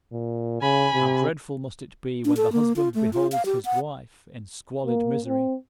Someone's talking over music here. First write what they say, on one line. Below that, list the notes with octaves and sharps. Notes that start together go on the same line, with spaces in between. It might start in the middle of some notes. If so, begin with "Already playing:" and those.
How dreadful must it be when the husband beholds his wife in squalid misery.
A#2
C#3 G#5 B5
C3
D4
A4
A#3
F4
A3
F4
F5
G4
F#5
A#3
C4